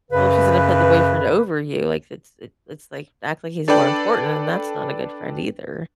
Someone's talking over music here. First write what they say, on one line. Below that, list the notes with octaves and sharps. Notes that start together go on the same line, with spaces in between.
Well, if she's gonna put the boyfriend over you, like, it's it's it's like, act like he's more important, then that's not a good friend either.
F#2 C#3 B4
D4 A4 B4 D5 G5